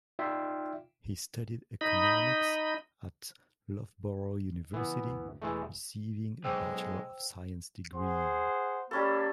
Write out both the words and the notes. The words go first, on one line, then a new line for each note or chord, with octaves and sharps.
He studied economics at Loughborough University, receiving a Bachelor of Science degree.
D#4 F4 D5 E5 F5 G5
D#4 D#5 B5
D#3
C#3 E3 F3 B3
D1 G2
E1 E3 G#3 A3
B1 G#3 C5 G5 E6
G#4 C5 F#5
G3 A#3 C#4 A4 B5